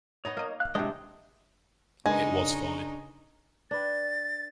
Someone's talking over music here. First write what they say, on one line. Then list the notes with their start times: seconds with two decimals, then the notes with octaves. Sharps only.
It was fine.
0.25 B3 D#4 C#5 D#5
0.37 A#3 A#4 D#5
0.60 F5 F#6
0.75 C3 E3 F#3 G#3 D4 D#4 D#5 G5
2.06 C#3 G#3 D4 D#4 A#4 B4 G#5
3.71 D4 B4 G5 A6